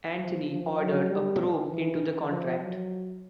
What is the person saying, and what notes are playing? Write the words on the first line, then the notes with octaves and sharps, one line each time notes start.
Antony ordered a probe into the contract.
F3
F3
F#3
G3
E3
F3
F#3